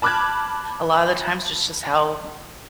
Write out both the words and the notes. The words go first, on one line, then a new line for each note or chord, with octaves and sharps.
a lot of the times, that's just how,
A5 B5 D6 F6 F#6 G#6